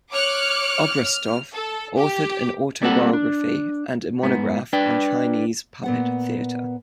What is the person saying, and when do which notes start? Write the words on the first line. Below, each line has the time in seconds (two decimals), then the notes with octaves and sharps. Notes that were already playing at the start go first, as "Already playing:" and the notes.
Obraztsov authored an autobiography and a monograph on Chinese puppet theatre.
0.11 C#5 D6 F6 F#6 C#7
1.01 F6
1.52 A4
1.96 G4
2.82 G3 A#3 C4 A4 F#5
3.13 D4
4.23 G#2 B3
4.73 D4 B4 D5 G5
5.83 A#2 B3 F#5